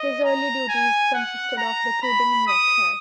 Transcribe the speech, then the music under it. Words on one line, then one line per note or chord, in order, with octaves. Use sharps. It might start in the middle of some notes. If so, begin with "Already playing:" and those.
His early duties consisted of recruiting in Yorkshire.
Already playing: D#5
A#5
G#5
F#5
A#5
B5
D#6